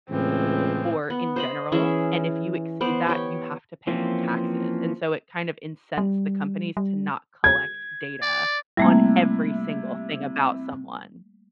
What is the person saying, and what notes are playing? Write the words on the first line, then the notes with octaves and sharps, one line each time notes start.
or in general, and if you exceed that, you have to pay taxes, and so it kind of incensed the companies to not collect data on every single thing about someone.
C#2 A2 E3 C4
B3
C5 D#5 B5
E3 C#4 G#4 E5
B3 C5 D5
G4 C#5 G5
E3 F3 A#3 C4 C#4
G3
G3
G#6
D5
C3 G3 A3 A#3 E4